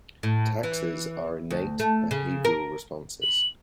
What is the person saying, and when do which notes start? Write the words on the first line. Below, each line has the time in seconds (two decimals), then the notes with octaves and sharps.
Taxes are innate behavioural responses.
0.23 A2
0.63 E3
1.51 D2
1.80 A3
2.11 C#3
2.45 A#4
3.22 F#7